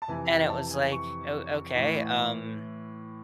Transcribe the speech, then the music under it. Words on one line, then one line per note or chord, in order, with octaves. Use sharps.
And it was like, "Oh, okay, um"
A5
F2 C3 E3 G#5
G5
A5
G#5
C#6
A2 E3